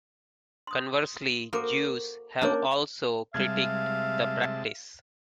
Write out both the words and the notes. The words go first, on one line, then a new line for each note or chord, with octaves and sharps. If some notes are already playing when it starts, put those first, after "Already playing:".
Conversely, Jews have also critiqued the practice.
C6 D#6
A#3 F#4 A4 C5 D6
A#3 C#4 D4 C#5 D6
C3 G3 G#3 E5 F5 A5 G#6